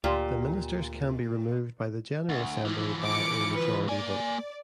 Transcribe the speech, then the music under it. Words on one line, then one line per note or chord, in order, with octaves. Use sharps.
The ministers can be removed by the General Assembly by a majority vote.
D2 A#2 G4 D5
D2
E3 F3
D6 C#7
B4
A#3 D5 G#5